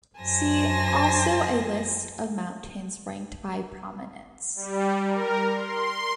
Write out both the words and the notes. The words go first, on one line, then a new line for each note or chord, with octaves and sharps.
See also a list of mountains ranked by prominence.
F#2 C5 G#5 A5 A#6
G3
A#4
C6